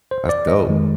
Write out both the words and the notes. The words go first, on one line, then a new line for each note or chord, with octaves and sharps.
That's dope.
C5
D5
D#5
F2 D#3 G#3